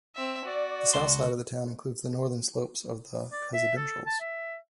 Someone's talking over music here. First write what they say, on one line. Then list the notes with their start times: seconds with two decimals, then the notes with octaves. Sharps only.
The south side of the town includes the northern slopes of the Presidentials.
0.16 C4 E5
0.45 F#4 D5
0.94 C#2 A5 C6
3.32 D5
3.54 E5
3.77 A4
4.06 A5
4.21 E5